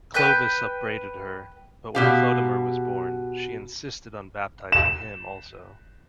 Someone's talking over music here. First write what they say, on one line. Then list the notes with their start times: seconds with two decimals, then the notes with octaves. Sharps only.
Clovis upbraided her; but when Chlodomer was born, she insisted on baptising him also.
0.14 B4 G5 F#6 G6
1.95 B2 G4 F5
4.72 E7